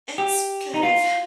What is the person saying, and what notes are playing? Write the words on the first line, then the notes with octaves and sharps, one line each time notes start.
It's kind of
G4
D#4
F4